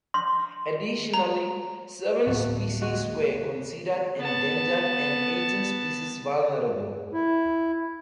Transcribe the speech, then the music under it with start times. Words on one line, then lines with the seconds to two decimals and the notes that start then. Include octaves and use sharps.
Additionally, seven species were considered endangered and eighteen species vulnerable.
0.14 C6
1.14 A#5
2.27 D1 A1 F#3 A3 A#3 F#4
2.81 G#3 F#4
4.18 B3 A5
7.13 E4